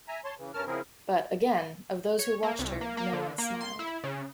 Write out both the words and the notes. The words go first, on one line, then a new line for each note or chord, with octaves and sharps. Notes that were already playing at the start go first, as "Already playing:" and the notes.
But, again, of those who watched her no one smiled.
E5 G#5 A#5
C#5 A5 C6
C#3 E3
G2 C#4 A#4 A5 F6
C#3 F3 C4 E4 G#4 A#4
C#5
A#3
C2
A#3
A#3
D3
A#3
C6
E4
C#3